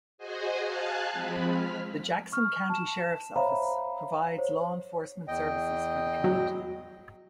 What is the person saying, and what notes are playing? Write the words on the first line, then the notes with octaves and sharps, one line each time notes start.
The Jackson County Sheriff's Office provides law enforcement services for the community.
F#4 G#4 C5 D#5 G#5
F5 G#5 A5 F#6 G#6
F3 G#3 C4 B5
F6 B6
C#6 F6
A5 E7
C5 C#5 E5 F5 A#5 B5
C5 C#5
E2 D#5 G5
F#3